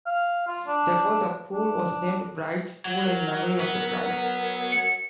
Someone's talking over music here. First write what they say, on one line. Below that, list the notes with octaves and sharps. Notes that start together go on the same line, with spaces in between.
Therefore, the pool was named Bride's Pool in memory of the bride.
F5
F4
D4
D4
F#3
A#4
B3
C#7